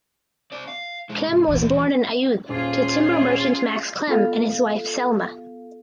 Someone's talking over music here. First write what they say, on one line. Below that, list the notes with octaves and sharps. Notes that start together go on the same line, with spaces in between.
Klemm was born in Aiud to timber merchant Max Klemm and his wife Selma.
C4 D5
F5
G#3 E4
C2 G#2
D2 A#2 E3 G3
D#1 C#4 F4 G#4
B3 F4 A4 F5